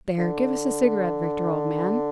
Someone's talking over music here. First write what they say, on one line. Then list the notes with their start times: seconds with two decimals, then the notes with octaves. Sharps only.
There, give us a cigarette, Victor, old man.
0.18 D3